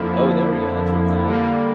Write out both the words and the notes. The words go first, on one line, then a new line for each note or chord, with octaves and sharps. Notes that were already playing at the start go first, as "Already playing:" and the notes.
Oh, there you go, that's where it's at.
Already playing: F2 D3 F3 A#3 E4
D3 G3 A#3